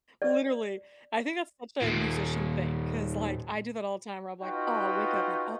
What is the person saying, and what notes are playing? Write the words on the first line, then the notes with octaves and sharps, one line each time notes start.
Literally. I think that's such a musician thing 'cause like I do that all the time where I'm, like, "Oh" I'll wake up like,
D5
D#2 A#2
D#4 F4 F#4 B4 D#5 G5